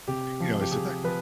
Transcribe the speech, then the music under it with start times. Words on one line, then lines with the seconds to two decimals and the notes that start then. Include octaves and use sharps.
you know, I sit there?
0.08 C3 G4
0.40 F3
0.61 G4
0.71 C3 G#4
1.04 F3 B4